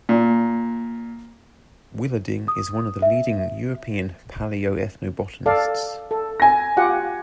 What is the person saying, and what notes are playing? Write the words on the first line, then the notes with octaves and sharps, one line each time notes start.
Willerding is one of the leading European palaeo-ethnobotanists.
A#2
D#6
E5
A4 D5 F5
A4
G#5 A#6
F4 G4 F#5